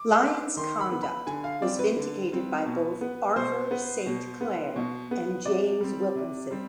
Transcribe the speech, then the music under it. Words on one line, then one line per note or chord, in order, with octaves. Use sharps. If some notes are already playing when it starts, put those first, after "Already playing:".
Lyon's conduct was vindicated by both Arthur Saint Clair and James Wilkinson.
Already playing: D6
B3
D#3 C6
B5
B3
B5
D3 G#5
F5
G3 C4 D5
B4
D3
G3 C4
B2
B3
B2 C5
B3
B2
B3
B2
B3
C3 D5
G3 C4
C3
G3 C4